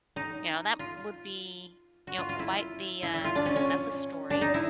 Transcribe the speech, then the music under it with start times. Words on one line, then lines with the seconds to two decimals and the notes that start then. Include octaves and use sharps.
You know, that would be, you know, quite the, uh, m "That's a story.
0.16 D#4
0.79 F4
2.07 F#4
2.18 F4
2.29 F4
2.39 E4
3.03 E4
3.14 E4
3.24 F4
3.35 D4
3.45 C#4
3.56 C#4
4.30 D4
4.41 D#4
4.54 E4